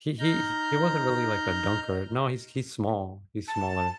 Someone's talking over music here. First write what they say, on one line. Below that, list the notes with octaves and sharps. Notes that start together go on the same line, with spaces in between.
he he he wasn't really, like, a dunker. No, he's he's small, he's smaller.
D#4 A#5 F6 G6
A5